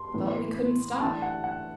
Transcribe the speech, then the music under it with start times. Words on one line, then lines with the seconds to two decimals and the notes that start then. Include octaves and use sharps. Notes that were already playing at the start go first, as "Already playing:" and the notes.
But we couldn't stop.
Already playing: C6
0.14 A2 E3 B3
1.00 E3 A3 D4 A5
1.22 F#5
1.44 F#5